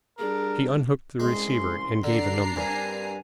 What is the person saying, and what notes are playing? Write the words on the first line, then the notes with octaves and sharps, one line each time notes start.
She unhooked the receiver, and gave a number.
G3 D4 G#4 A#4
C2 G#3 C#4 C6
D3 D4 A#5 C7
G2 C4 A#4 G#5